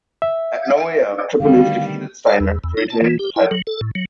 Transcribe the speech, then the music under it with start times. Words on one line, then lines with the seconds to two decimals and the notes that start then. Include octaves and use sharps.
At No Way Out, Triple H defeated Steiner to retain the title.
0.22 E5
1.40 D3 D#3 G3 A3 B3 F5
2.27 F5
2.40 E2
2.64 E2
2.77 D#4
2.90 A5
3.02 E3
3.19 G4
3.36 E4
3.51 F#3
3.67 A4
3.81 A2
3.95 F#3